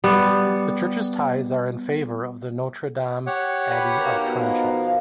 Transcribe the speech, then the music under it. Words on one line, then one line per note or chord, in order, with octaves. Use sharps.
The church’s tithes are in favor of the Notre-Dame abbey of Tronchet.
G3 B3
G4 C#5 F#5
B4 B5
B2 D#4 A#4 F5 A#5
F3